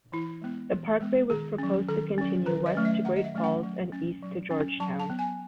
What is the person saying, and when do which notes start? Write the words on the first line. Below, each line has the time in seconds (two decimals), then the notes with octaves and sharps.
The parkway was proposed to continue west to Great Falls and east to Georgetown.
0.12 E3 E4
0.42 G#3 B3
0.72 E3
1.00 G#3 B3
1.30 D#3 G#4
1.58 F#3 C#4
1.89 D#3 A4
2.18 F#3 C#4
2.46 D#3 B4
2.66 D#5
2.75 F#3 A3 C#4
2.85 E5
3.05 D#3 F#5
3.16 D#5
3.24 E5
3.35 F#3 A3 C#4
3.44 F#5
3.63 F#3
3.92 C#4
4.22 F#3
4.51 C#4
4.80 F#3 A5
4.99 A5
5.10 B3
5.19 G#5